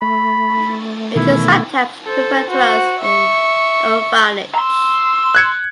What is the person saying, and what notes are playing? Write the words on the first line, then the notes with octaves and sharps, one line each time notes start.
It is sometimes referred to as an orphanage.
A3 B5
B2 D#3 E3 E4
A4 C5
F#4 C5
E5 C#6
A#5 C6 E6
F#6 G#6 C#7